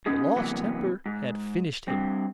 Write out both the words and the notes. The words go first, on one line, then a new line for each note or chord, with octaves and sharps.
The lost temper had finished him.
B3 C#4 D#4 G#4
C3 E3 F#3 A#3 B3
G#2
G2 C4